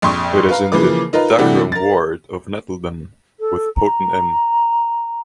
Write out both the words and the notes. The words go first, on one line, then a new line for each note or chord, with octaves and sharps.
It is in the Dacorum Ward of Nettlden with Potten End.
A#1 F2 C6 C#6 D#6
B4 F5 A#5
C#3 E3 F3 A#3 B4 D6
D#4 F4 A#4 B4
C3 E3 G3 A3 D4 F#4
A#4 A6
A4
A#5